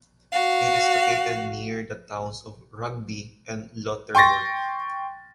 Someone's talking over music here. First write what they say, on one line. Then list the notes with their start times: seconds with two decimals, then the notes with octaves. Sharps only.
It is located near the towns of Rugby and Lutterworth.
0.32 F#4 F5
4.15 G5 C6 C#6 A6 A#6